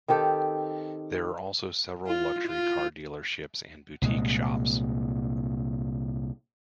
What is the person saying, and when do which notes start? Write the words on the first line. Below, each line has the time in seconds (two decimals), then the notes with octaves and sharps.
There are also several luxury car dealerships and boutique shops.
0.08 D#3 C4 G4 A4
2.07 F4
2.47 F4
4.02 C2 A#2 G#3